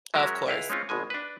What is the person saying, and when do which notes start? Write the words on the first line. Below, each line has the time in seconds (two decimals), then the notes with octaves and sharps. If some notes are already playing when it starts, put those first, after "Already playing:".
Of course.
0.14 F#3 G#3 C#4 F#4 A#4 E5
0.47 C#2 E4 B4 F5
0.70 G#3 C4 C#4 F4
0.89 G#1 B2 G#3 G#5
1.10 D4 B4